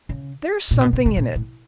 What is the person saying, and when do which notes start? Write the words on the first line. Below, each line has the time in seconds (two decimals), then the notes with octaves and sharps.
There's something in it.
0.09 C#3
0.71 A#2
0.81 B2
0.93 C3
1.06 C3
1.17 A#2
1.36 A2